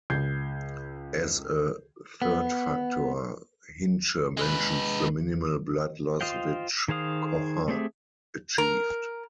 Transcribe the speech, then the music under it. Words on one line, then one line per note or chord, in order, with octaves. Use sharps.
As a third factor, Hintzsche mentions the minimal blood loss which Kocher achieved.
C#2 G6 G#6 C7
B3
G#3 B4
F4 C5 D#5 F5 G5
D#3 G#4 C5 F5 D#6
A3 C4 G4 G#4 E5
A#4